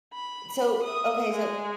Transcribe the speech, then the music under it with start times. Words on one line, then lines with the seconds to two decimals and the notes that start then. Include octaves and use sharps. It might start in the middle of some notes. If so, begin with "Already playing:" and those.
So, okay, so,
0.13 B5
0.51 B5
0.83 E5 D#6
1.31 G#3 G#5